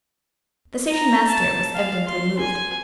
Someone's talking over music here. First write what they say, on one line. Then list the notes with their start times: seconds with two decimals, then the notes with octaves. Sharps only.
The station-master was evidently moved.
0.91 A#5
1.29 A5
1.75 F5
2.08 C6
2.39 G#5